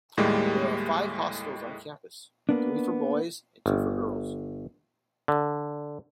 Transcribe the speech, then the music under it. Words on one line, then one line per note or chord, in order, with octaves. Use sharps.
There are five hostels on campus, three for boys and two for girls.
D#2 A2 G3 G#3 A#3 G4
A#3 B3 D4
G1
D3